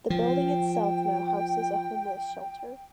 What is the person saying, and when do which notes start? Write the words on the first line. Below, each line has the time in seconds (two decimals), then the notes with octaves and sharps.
The building itself now houses a homeless shelter.
0.10 F3 G5